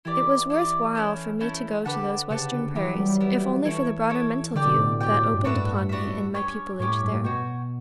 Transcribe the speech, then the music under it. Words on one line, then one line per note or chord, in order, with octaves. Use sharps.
It was worth while for me to go to those Western prairies, if only for the broader mental view that opened upon me in my pupilage there.
E3 E4 G4 D5
E4 G4 D5
A3 C#4 E4
A3 C#4 E4
D3 G4 B4 F#5 A5
C#3 G4 B4 F#5 A5
D3
E3 B3 E4 G4
F#3
G3
G3
B3 E4 G4
E3 E4 A4 C#5
E4 A4 C#5
D3 G4 D5 G5
B2
A2
A2
B2 G4 D5 G5
A2
A2
G2
A2 D4 F#4 B4 E5
G2
G2
G2
D4 F#4 B4 E5
C#4 G4 C#5
A2 C#4 G4 C#5
A2
G2
A2
B2 F#4 C#5 G5